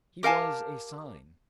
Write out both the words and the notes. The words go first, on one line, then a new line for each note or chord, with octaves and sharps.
He was a Sign.
G4 A#4 F5 G#5 A5